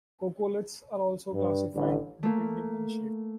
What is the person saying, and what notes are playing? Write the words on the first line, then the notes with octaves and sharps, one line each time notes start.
Coccoliths are also classified depending on shape.
G2
A1 D3 G3 E4
A3 A#3